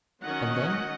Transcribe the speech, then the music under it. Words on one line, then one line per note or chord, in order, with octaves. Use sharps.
"And then?"
D#3 F#3 C#4 D#5 F#5